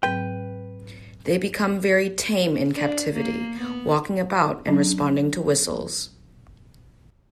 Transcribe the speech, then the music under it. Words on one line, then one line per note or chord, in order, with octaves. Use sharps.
They become very tame in captivity, walking about and responding to whistles.
G#2 F#3 C4 B4 G5
D4
A#3
B3
F#3 C#4 D4